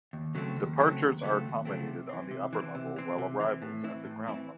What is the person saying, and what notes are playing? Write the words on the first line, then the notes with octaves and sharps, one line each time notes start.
Departures are accommodated on the upper level, while arrivals at the ground level.
D#2
C#3 F#3 A3 C4
D#2
C#3 F#3 A3 C4
D#2
C#3 F#3 A3 C4
D#2
C#3 F#3 A3 C4
C3
E3 C4
C3
E3 C4
C3
E3 C4
C3
E3 C4
A2
E3 C4 E4
A2
E3 C4 E4